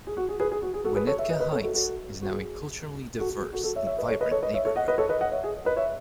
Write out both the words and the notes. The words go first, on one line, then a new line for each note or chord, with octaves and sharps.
Winnetka Heights is now a culturally diverse and vibrant neighborhood.
G#4
F#4
G#4
G#4 B4
G#4
F#4
G#4
F#4 A4
G#4 B4
A4 C#5
C#5 E5
B4 D#5
B4 D#5
A4 C#5
F#4 A4
F#4 A4
F#4
G#4
F#4 A4
F#4
G#4
F#4 A4
F#4 A4
C#5 E5
C#5 E5
B4 D#5
A4 C#5
B4 D#5
A4 C#5
B4 D#5
C#5 E5
A4 C#5
D#5 F#5
B4 D#5
A4 C#5
B4 D#5
D#5 F#5
C#5 E5
G#4
B4 D#5
C#5 E5